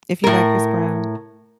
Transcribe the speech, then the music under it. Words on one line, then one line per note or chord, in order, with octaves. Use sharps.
If you like Chris Brown.
A2 A#4